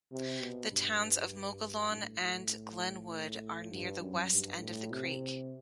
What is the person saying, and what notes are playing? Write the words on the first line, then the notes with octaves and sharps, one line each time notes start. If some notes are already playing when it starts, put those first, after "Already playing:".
The towns of Mogollon and Glenwood are near the west end of the creek.
C3
B2
G2
A2
A2
G2
F#2
G2
A2
C3